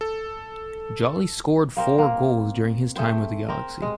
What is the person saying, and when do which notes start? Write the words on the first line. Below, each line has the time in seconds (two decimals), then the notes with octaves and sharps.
Jolley scored four goals during his time with the Galaxy.
0.01 A4
1.77 A#3 C4 A#4
1.98 A#3
2.96 A3 G#4 C5 G5
3.48 C4 A#4
3.82 G#3